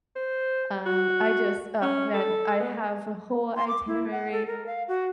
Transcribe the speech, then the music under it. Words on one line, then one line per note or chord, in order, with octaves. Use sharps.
um, I just ugh, man, I have a whole itinerary
C5
F#4
C#4
A4
B3
C6
D6
E4
F#5
A4
A#4
F5
F#4